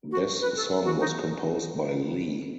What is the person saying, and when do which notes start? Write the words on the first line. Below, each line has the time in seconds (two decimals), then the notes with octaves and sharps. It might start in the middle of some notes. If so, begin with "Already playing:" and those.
This song was composed by Lee.
0.11 F#4
0.41 B4
0.56 A4
0.85 F#4
1.00 D#4